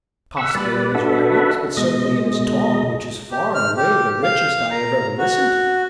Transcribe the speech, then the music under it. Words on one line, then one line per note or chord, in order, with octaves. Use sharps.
"Possibly in his writings, but certainly in his talk, which is far and away the richest I ever listened to."
E5 F#5 E6
G3 B4 D5
D4 F#4 A4 B4 E5
B2 G#3 D#5
G4
F6
G4
F5
A#5
F#4